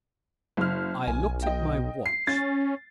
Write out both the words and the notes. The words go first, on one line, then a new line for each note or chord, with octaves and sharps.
I looked at my watch.
F#1 F6
B1 G#5
D#5 G5
C7
C#4 A6